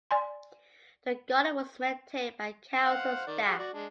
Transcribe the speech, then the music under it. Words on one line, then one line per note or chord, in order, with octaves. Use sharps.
The garden was maintained by council staff.
D5 G#5 C6
C5 F5 F#5
D#3 D5
G4 G#4 F#5
F#4 D5
G#3 D4